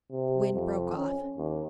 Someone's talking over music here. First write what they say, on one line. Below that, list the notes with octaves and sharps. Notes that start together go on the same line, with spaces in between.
Wind broke off.
C3
F2
C#4
D#2